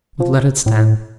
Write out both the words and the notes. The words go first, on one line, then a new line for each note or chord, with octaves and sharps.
But let it stand.
F3
A2